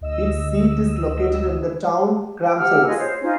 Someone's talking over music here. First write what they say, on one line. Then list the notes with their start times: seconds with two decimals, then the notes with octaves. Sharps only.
Its seat is located in the town Kramfors.
0.01 D2 D#5 E6
2.44 C5 G5
2.58 G4 F#5 E6 F6
2.87 F4 G#4 B4 D#5
2.98 C5 C#5
3.22 C#4 D#4 F4 C5